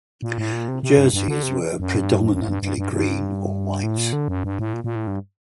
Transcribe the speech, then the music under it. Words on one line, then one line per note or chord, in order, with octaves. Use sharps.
Jerseys were predominantly green or white.
A#2
A2
A#2
C3
C3
G2
G2
D3
C3
F#2
G2
F#2
F#2
A2
G2
G2
G2
G2
A2
A#2
D3
F#2
G2
A2
A#2
A#2
A2
G2